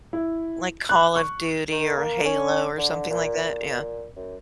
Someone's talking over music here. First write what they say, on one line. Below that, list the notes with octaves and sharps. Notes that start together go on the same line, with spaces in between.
Like, Call of Duty or Halo or something like that, yeah.
E4
F#6
C#6
D#3
A#3
C#4
D3
A#2
A#2
F#2